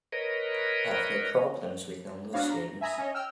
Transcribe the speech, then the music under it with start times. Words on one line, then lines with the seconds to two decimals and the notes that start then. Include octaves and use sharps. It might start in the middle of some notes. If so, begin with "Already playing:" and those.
I have no problems with non-Muslims.
0.12 A#4 B4 C#5 D#5
2.33 B3 D4 F#4 B4 C#5 F5
2.50 A#5
2.81 E5 G#5 A#5 B5 D#6
2.98 C#4 C#5 D#5
3.14 G5 E6 F6